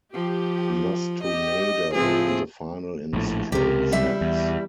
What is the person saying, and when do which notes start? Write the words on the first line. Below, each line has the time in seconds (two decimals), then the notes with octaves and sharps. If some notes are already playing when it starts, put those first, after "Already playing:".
He lost to Nadal in the final in straight sets.
0.13 F3 G4
1.23 G4 D#5
1.94 A2 F3 C4 G#4
3.13 A#1 A2
3.52 C#2 C3 G4 A#4
3.92 G3 E4 E5
4.21 E2